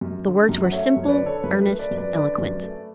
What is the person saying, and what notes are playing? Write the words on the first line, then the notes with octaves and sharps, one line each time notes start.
The words were simple, earnest, eloquent.
F#2
D3
F#2
F#5
A3 C#5 E5
F#2
C#5
B4 D5
D3
A4 C#5
F#2 B4
B4
A3
B4 D5
F#2
B4 D5
D3 B4 D5
F#2
A3